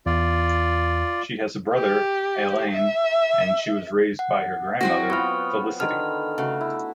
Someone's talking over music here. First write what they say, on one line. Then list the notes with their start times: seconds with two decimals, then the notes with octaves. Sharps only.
She has a brother, Alain, and she was raised by her grandmother, Felicite.
0.06 E2 F4 D5
1.74 G4
2.71 E5
4.19 F#5
4.81 F#3 C4 E4 F#4 A#6
5.10 B3 F4 B4 C#6 F6
5.80 D3 D#3 F6
6.38 C#3 A3 F#4
6.61 E4